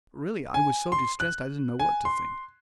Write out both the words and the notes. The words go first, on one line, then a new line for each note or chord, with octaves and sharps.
Really I was so distressed, I didn't know what to think.
G#5
C6
F#6
G#5
C6